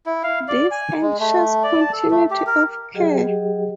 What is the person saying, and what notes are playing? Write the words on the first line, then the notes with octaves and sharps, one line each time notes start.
This ensures continuity of care.
E4
F5
D5
G#5
G#3
A3
D5
A5
A4
A3
G4
A#4
F#3 G4 G#4 D#5 G5